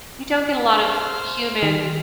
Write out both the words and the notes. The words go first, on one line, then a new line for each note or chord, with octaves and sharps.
you don't get a lot of human
C5 F6
D#3